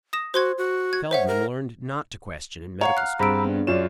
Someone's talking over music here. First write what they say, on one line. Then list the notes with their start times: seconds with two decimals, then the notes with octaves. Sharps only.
Feldman learned not to question in medical school.
0.13 D#6 A#6 E7
0.34 F#4 C5 C6 G#6
0.58 F#4
0.93 G#6
1.11 C5 C#5 E5 F#5
1.28 A#4
2.81 C#5 F5 F#5 A#5
2.97 F5 F6 F#6
3.19 G2 C4 G#4 A#5 B5 E6 D7
3.45 B3 D4
3.67 F#2 F4 C#5 D5 E7